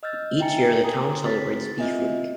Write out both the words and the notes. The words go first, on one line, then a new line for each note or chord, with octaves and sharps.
Each year the town celebrates Beef Week.
D#5 E6 F6 G6 A6
D#4 E5 G5 G#5 A#5 C#7
G#5 A#5 D#6
C4 F#4 B4 A6 B6
F#4
C4 F4 D#5 E5 G#5